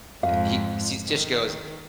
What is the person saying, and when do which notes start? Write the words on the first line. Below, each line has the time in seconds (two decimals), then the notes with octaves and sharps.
uh, he sees just goes
0.23 F2 G#2 F5
1.07 D#3